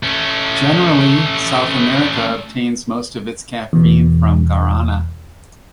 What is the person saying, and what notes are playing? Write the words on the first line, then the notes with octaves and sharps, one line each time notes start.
Generally, South America obtains most of its caffeine from guarana.
A3 C#4
E2 B2